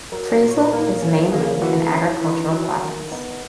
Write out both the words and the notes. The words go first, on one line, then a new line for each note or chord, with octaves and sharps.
Friesland is mainly an agricultural province.
F#3 A#4
A#2
C#5
B4
A#3 A#4
C#4
A#3 G#4
E3 F#4
C#4 E4
E3
F#3
D#3
B3 D#4